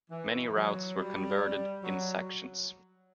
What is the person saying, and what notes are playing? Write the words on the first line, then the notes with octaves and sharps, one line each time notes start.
Many routes were converted in sections.
E3
F#3
G3
F#3